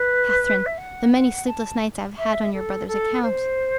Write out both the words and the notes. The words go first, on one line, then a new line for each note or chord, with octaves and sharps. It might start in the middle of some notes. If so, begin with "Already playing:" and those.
Catherine, the many sleepless nights I have had on your brother's account!
Already playing: B4
E5
F#5
F#5
A5
E5
A4
A4
C5